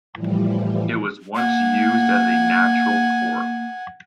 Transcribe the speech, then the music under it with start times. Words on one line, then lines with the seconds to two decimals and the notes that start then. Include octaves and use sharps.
It was once used as a natural port.
0.14 A2 E3 F3 G3
1.35 A#3 F#5 G#5